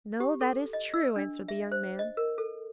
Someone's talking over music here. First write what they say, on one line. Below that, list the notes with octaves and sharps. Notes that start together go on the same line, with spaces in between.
'No; that is true,' answered the young man.
G4
A4
D#5
E6
D4
E5
C5
D#5
A#4
A4